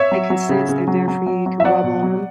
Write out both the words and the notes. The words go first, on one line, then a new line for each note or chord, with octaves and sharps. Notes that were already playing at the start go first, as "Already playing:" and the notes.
They can sense they're there for you; you can rub on 'em,
Already playing: C#5 E5
F#3
F#3
C#3
C#3
F#3
F#3
F#3
F#3
E5
F#3 D5 F#5
B2
F#3